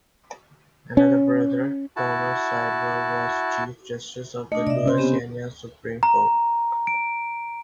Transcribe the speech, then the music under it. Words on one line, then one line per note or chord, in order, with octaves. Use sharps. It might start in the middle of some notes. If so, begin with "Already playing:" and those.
Another brother, Thomas Slidell, was chief justice of the Louisiana Supreme Court.
C#4
E4 F#4 A5
A3 D4 D#5
C3 D5 E5
C#3 C#4 C5
B3 C4 G4
A#5
D7